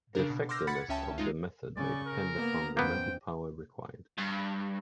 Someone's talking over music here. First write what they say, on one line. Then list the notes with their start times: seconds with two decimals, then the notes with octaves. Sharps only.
The effectiveness of the method may depend upon the mental power required.
0.15 C#3 D4 A#4
0.30 B2
0.49 C6 D6 E6 F6 G6 A#6
0.67 F#5 B5 G#6 A6 B6 C#7
0.89 C#2 C#3 C#4 E5 G5 A5
1.18 G#3 D#4 F4
1.76 C#3 C#4 D5 C#6
2.06 A#4
2.36 A#3 B3 A#5
2.77 F2 A#3 B3 C#4 C5 G5
4.18 G2